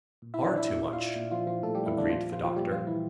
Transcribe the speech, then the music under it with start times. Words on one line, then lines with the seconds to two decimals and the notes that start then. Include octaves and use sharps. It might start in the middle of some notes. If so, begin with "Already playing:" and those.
"Far too much," agreed the doctor.
0.22 A#2
0.34 E4 E5
0.45 D4 D5
0.57 E4 E5
0.69 A#2
0.93 F4 F5
1.16 A#2
1.31 F3 F4
1.47 F3 F4
1.63 A#2 A3 A4
1.75 G3 G4
1.86 E3 E4
1.98 D3 D4
2.10 A#2 F3 F4
2.32 F3 F4
2.44 F3 F4
2.56 A#2 G3 G4
2.72 F3 F4
2.87 E3 E4